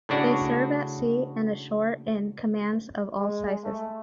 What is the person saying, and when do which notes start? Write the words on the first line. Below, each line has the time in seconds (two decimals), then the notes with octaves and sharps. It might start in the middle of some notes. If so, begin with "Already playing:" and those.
They serve at sea and ashore in commands of all sizes.
0.09 A2 C#3 D4 F#4
3.18 G#3
3.63 A3